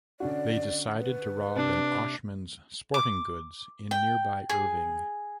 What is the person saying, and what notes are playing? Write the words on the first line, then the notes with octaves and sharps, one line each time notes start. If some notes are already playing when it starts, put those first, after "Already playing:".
They decided to rob an Oshman's Sporting Goods in nearby Irving.
D3 C#4 F#4 D5
B4
C3 D4
D6
G5
G#4